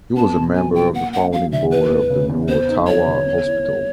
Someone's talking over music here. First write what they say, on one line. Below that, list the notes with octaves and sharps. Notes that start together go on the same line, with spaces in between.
He was a member of the Founding Board of the New Ottawa Hospital.
B3 A5
B2
F#3 G#5
B2 G5
A#3 F#5
C#4 F#5
F#3 F5
D3 E5
E3 B4
E2
C#3
E2
B3 C5
D#4
F#3 C#5
D3
B3
E4
G3